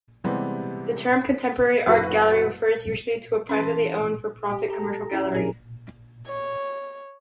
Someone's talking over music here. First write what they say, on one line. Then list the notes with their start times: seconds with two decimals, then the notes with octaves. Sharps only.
The term contemporary art gallery refers usually to a privately owned for-profit commercial gallery.
0.24 C3 E3 G3 G#3 B3 C4
1.86 F#1 F#4 B4
3.49 E3 C#4 B4 A5 C6
4.50 G4
4.68 G4 A4 A#5
5.11 C#4 E4 G4
5.32 C#4 D4 G#4 A#4
6.27 C#5